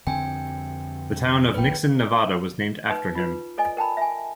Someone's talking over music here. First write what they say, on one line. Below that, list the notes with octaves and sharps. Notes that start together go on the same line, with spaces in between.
The town of Nixon, Nevada was named after him.
F2 D3 C4 G5 G#5
F1 A#1 A#2 B4 G5
D#4 B4
F4 B4
A4 D5 D#5 G#5
A#4 G5 A5 B5
E5 G#5